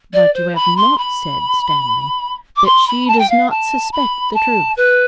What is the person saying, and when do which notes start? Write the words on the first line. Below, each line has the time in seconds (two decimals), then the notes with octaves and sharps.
'But you have not said, Stanley, that she does not suspect the truth.'
0.13 D5
0.34 C5
0.55 B5
0.76 C6
0.97 B5
2.56 D6
2.65 C6
2.87 B5
3.07 A5
3.18 G5
3.29 F5
3.50 A5
3.92 B5
4.34 A5
4.76 B4